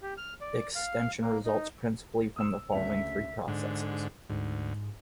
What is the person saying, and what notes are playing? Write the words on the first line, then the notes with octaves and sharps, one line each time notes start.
Extension results principally from the following three processes.
G4
F6
D5
F5
A#3
D#4
D#6 E6 E7
D2 C#3 E5 F7
G#2 D3
D2 G#2